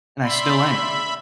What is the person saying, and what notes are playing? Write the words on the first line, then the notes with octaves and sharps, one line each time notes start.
and I still am.
D5 E5 B5 C6